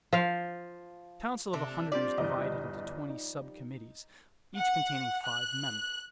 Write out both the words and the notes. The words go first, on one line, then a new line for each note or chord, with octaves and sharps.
The council of a hundred was divided into twenty subcommittees, each containing five members.
F3 F5
C3 A3 D4
F3 G3 C4 D4 D5
G1 E2 D#5
D#4
F#5
F#6